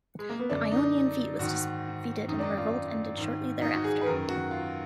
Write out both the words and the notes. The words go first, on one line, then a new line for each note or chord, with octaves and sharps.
The Ionian fleet was defeated and the revolt ended shortly thereafter.
G#3
A#3
B3
F#2 D3 D4
D#4
G#2 D#3 F#4
F#2 D#3 D#4
D4
D#4
F4
G#2 D#3
D#4
F#4
G#4
B4
F#2 D#3 A#4
F#4
F4